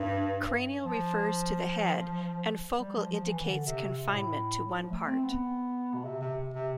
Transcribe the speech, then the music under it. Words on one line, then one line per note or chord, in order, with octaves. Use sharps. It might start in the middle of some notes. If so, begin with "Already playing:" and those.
Cranial refers to the head and focal indicates confinement to one part.
Already playing: G2
F3
G3
F3
F3
E3
D3
C3
C3
A2
F3
A3
C4
B3
B2
C3
C3
C3